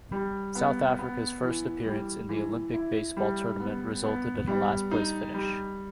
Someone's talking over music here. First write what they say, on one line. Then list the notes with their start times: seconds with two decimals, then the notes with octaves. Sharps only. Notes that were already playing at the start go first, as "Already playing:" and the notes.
South Africa's first appearance in the Olympic baseball tournament resulted in a last-place finish.
0.12 G3
0.55 B3
0.99 B3
1.43 E3
1.86 G3
2.29 E3
2.74 E4
3.17 G3
3.60 B3
4.04 B3
4.47 G3
4.91 D#4
5.34 G3